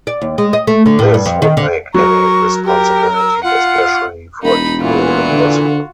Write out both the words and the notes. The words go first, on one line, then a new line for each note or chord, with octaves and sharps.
This would make any responsibility, especially for evil, impossible.
D5
D#2
G#3
D#5
A3
D3
A2
G2
F2
D#3
D3
F#3 A#4 C#6
G4 A#4
E6
F4 F#5
E1 D#4 B5
A#2 E3 F4 F#4
D3